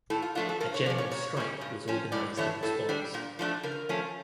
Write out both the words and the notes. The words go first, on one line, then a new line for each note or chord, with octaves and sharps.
A general strike was organized in response.
A2 A4
F4
F3 A3 D4 F4
A4
G2 A#4
C#5
F3 C#4 D5
C#5
A#2 C#5
G3 C#4
G2
F3 C#4
A2 D5
E3 A3 D4 C#5
A2 A4
G3 D4
A#2
F3 A3 D4
C#3 A#4
F3 A3 C#4